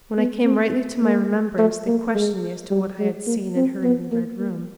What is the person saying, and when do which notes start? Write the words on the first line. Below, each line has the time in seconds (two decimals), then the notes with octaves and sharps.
When I came rightly to my remembrance, they questioned me as to what I had seen and heard in the Red Room.
0.18 B3
0.45 C4
1.02 A#3
1.58 A3
1.87 A#3
2.15 G#3
2.71 G3
2.99 G#3
3.27 A#3
3.56 C4
3.84 B3
4.12 A#3
4.40 A#3